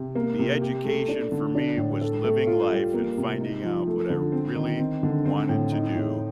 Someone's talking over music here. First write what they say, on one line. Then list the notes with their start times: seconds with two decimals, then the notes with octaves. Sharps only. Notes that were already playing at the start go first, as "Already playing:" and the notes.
the education for me was living life and finding out what I really wanted to do,
Already playing: C3
0.15 A#3
0.39 C3
0.62 G4
0.85 A3
1.08 D4
1.32 D3
1.55 D4
1.77 A2
2.01 A4
2.24 A3
2.47 F4
2.71 G3
2.94 A#3
3.17 C3
3.40 D#4
3.63 F3
3.87 A3
4.10 D3
4.32 C4
4.55 D#3
4.79 C4
5.03 D3
5.25 C4
5.49 A2
5.72 D#4
5.95 A2